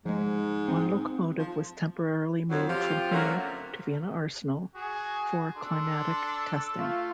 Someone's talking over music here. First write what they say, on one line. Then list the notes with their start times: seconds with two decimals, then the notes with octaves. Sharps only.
One locomotive was temporarily moved from here to Vienna Arsenal for climatic testing.
0.06 G#2 F3 G#3
0.68 C4
1.39 F3
2.49 F2 F#3
2.69 F3 F4 G4
3.12 D3 F#3 A3 A#3 C4 C#4
4.75 F#4 G#4
5.56 D4 A4 C6
6.79 A3 F4